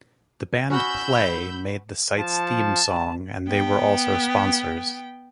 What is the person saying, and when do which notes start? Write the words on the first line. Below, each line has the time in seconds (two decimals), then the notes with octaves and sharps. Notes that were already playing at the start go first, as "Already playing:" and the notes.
The band Play made the site's theme song and they were also sponsors.
0.70 C#4 F#4 B5 E6 G6
2.18 F3 A5
3.47 B3 G5